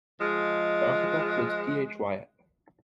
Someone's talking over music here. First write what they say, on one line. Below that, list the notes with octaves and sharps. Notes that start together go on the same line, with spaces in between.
The architect was T. H. Wyatt.
F3 G#3